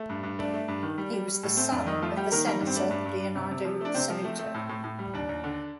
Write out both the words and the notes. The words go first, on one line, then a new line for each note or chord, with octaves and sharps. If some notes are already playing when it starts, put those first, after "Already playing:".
He was the son of the senator Leonardo Sanuto.
Already playing: A3
G2
G2
A3 D4
A3
G2
D#3
G3
G3
G3
A2
A3 C4
F2 D4
D#3 D#4
F3 A3 F4
G3 G4
D#3 A#3 A#4
G3 A#3 A#4
G2
C4
A3 D4
G2
G2
G2
C3
C3
F3
A3 D4
C3 C4
F3
A3
A3
A2
A2
A2
G3
D#2 D4
D#2
D3